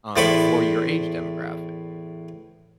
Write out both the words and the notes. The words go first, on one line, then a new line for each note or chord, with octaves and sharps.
um, for your age demographic.
E2 A2 C5 D5 B5 C#6